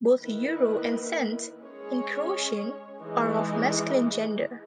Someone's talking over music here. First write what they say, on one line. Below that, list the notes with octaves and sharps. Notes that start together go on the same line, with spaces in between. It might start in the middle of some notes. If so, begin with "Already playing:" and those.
Both "euro" and "cent" in Croatian are of masculine gender.
D#3 A#3 E4 B4
G#3 C#4 G#4 C#5
E3 G#3 D#4 G#4